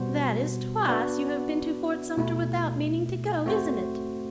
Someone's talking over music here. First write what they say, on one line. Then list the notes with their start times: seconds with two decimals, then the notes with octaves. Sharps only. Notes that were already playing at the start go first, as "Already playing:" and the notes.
"That is twice you have been to Fort Sumter without meaning to go, isn't it?"
Already playing: B2 G3 B3 F#4 C5
0.88 B3 D4 F#4 B4 D5
2.17 B2 A3 E4
3.46 A3 C4 F#4 C5